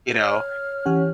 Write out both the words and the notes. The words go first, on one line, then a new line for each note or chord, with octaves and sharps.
You know
C#5 F6
E3 C#4 G4 F#5